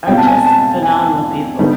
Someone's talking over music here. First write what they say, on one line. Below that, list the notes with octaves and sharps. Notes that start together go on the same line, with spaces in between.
are just phenomenal people.
B2 G3 C4 F4 G5
A5
G#5
A5
A5
G#5
D3 G3 B3 D#4